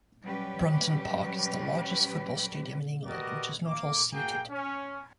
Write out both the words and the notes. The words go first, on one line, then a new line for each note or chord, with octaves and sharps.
Brunton Park is the largest football stadium in England which is not all-seated.
F#3 G3 C#4 G4 B4
F#4 G4 A#4 B4 D5 D#5
A#3 D6
A#3 F#4 G#4 G5
C#4